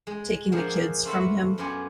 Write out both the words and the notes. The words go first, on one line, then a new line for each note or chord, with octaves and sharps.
taking the kids from him.
G#3
F3 A#3 D4 G#4 F5 F#5
F4 F#4 A4 B4 E5 F#5
F#2 B3 F4 D5 F#5 G#5